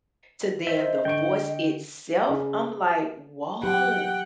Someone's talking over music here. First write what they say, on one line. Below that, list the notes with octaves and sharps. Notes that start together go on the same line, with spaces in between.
to, then, the voice itself, I'm like, "Woah."
C5 D#5 E5
D3 G5 C#6 D7
C#3
F#3 G4 F#5 G5